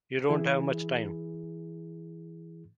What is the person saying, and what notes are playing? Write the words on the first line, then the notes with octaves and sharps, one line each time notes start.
You don't have much time.
E3 E4 G#4